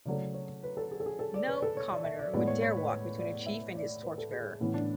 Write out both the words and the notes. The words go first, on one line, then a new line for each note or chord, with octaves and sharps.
No commoner would dare walk between a chief and his torch-bearer.
C#3 F#3 A3 D5
C#5
B4
A4
G#4
A4
G#4
A4
D5
B4
A4
C#5
D5
E5
D5
A2 G#3 B3 D5
C#5
C#5
B4
C#5
D5
E5
D5
B4
A4
G#4
A2 E3 B3 C#4
D4